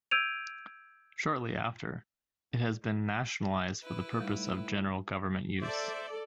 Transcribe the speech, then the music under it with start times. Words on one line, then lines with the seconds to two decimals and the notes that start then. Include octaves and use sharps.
Shortly after, it has been "nationalized" for the purpose of general government use.
0.11 E6 G6 G#6 D7 D#7 F7
3.83 E4 B4
4.20 A2 G3 D#4
5.62 A4 C5 D5 E5